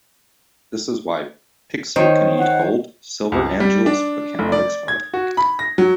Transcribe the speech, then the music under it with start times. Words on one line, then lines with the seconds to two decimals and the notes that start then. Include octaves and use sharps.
This is why Pixiu can eat gold, silver and jewels but cannot expel it.
1.96 D#3 C5 C#5
2.39 F#5
3.32 C#2
3.60 G3
3.86 D4
4.39 F1
4.52 D5
4.88 G#6
5.14 F#4
5.37 B5
5.59 A#6
5.78 F#3